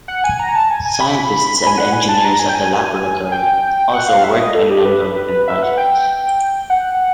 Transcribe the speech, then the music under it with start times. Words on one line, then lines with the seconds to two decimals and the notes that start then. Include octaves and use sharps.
Scientists and engineers at the Laboratory also worked on non-government projects.
0.08 F#5
0.24 G#5
0.39 A#5
0.55 A5
0.70 G#5
0.86 G#5
1.01 B5
1.47 B5
1.57 B5
1.67 G#5
1.78 F#5
1.93 G#5
2.09 A5
2.24 A#5
2.39 G#5
2.49 G5
2.55 G#5
3.32 G5
3.93 F#5
4.09 F5
4.24 E5
4.39 D#5
4.55 A4
4.70 G4
4.86 B4
5.48 E5
5.63 F#5
5.78 G5
6.70 F#5